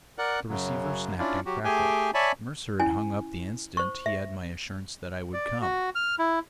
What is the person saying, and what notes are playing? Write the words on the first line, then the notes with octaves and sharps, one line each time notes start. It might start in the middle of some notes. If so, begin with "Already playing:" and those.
The receiver snapped and crackled; Mercer had hung up the instant he had my assurance that I would come.
A#4 D5 F#5 F#6
F#2 C#3 F#3
C#4 D4 E4 F4 D5
F#3 F#4 G4
A3 G4 G#4 G5 G#5
C#5 D5 E5 G#5 A5 B5
C#4 E4 G#5
C5 C#6
E5
D5
F#4
F6
E4